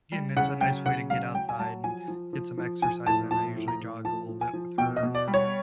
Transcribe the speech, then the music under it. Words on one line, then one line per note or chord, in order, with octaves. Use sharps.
getting into a nice way to get outside and get some exercise and I usually jog a little bit with her,
G3
C#3 F#5
F#3 G5
C#3 F#5
F#3 F5
F#3 G5
G#5
F#3 A5
F3 G#5
F3
F3
F3
F3 G#5
A2 A5
F3 A5
A2
A#5
A2
F3 A5
F3
G#5
F3
B2 G5
D#5
B2
D5
G3
C#5